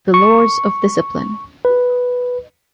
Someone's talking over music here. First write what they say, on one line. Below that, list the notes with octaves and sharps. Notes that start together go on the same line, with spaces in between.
"The Lords of Discipline".
C#6
B4